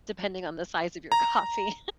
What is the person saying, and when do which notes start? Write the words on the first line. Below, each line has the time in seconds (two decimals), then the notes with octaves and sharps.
depending on the size of your coffee.
1.12 A#5